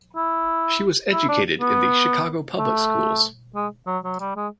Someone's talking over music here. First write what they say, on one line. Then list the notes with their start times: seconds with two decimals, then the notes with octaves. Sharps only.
She was educated in the Chicago Public Schools.
0.16 E4
1.13 E4
1.29 D4
1.61 B3
2.58 A3
3.55 G#3
3.87 F#3
4.04 F#3
4.20 G3
4.36 G#3